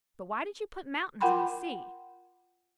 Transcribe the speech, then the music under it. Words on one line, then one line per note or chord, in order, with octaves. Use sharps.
"But why did you put mountains in the sea?"
F4 A#4 F#5 G5 B5 C6